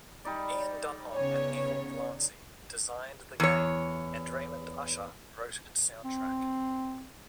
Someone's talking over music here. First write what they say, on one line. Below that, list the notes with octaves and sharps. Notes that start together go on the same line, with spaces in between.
Ian Dunlop and Neill Glancy designed the game, and Raymond Usher wrote its soundtrack.
G3 D#4 D5
C#3 B3 C#5 G#5
E2 C#5
C4